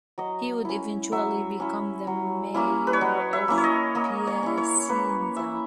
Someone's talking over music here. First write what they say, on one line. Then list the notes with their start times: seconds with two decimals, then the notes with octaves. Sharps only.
He would eventually become the mayor of Piacenza.
0.18 F#3 D#5
0.65 C#4 E4
1.12 F#3 E5
1.60 C#4 E4
2.07 F#3
2.54 A#3 C#4 E4
2.87 B4
2.93 C#5
3.01 F#3 D#5
3.33 E5
3.48 A#3 C#4 E4
3.58 C#5
3.64 D#5
3.95 A#3 D#5
4.27 C#5
4.43 C#4 E4
4.58 C#5
4.89 A#3 B4
5.37 C#4 E4 E5